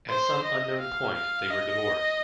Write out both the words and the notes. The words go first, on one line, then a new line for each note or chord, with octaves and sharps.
At some unknown point, they were divorced.
C5
D#5
F5
F5
D#5